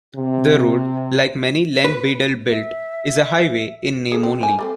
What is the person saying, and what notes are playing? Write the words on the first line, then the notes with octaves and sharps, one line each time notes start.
The road, like many Len Beadell built, is a "highway" in name only.
C3
B4
E5
G#4 A4
C4
C5 G#5
G3 A3 C4